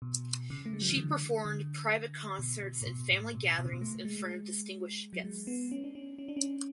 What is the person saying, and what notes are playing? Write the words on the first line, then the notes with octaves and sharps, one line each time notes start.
She performed private concerts in family gatherings in front of distinguished guests.
B2
C#3
A3
G#3
F#3
E3
D3
D3
B2
B2
A2
B2
A2
B2
B2
C#3
B2
A3
G#3
F#3
G#3
B3
C#4
D4
C#4
C#4
D4
C#4